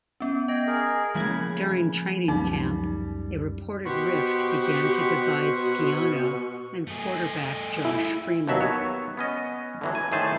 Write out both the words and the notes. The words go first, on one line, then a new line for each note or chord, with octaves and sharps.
During training camp, a reported rift began to divide Schiano and quarterback Josh Freeman.
B3 C#4
D#5 G5 A#6
G#4 A#4
A2 C#3 F3 G#3 A#3 B5 G#6
C#2 F#2 G3 D#4
B2 G4 C5 F#5 B5 C#6
A3 G#4
E4
D#2 B2 F#3 E5
B3 C#5
B3 C#4 D#5
D3 E3 F#3
G#5
A2 D#3 A3 G#4 C5 A5